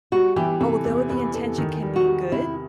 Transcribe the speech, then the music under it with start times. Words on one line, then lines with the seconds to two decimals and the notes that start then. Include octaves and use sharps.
although the intention can be good,
0.12 G3 F#4
0.36 E3 G4
0.60 C3 A4
0.85 E2
1.09 E2 B4
1.34 E2 A4
1.58 D#3
1.83 G3
1.96 F#4
2.07 G3
2.32 C3 E4